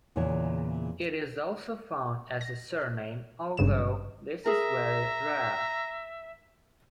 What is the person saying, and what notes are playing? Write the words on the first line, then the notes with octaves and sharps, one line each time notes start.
It is also found as a surname, although this is very rare.
E2 A#2 C#3 E3 C#5 A5
A#6
G#1 G2 C#3 E7
G#4 A#4 E5 A#5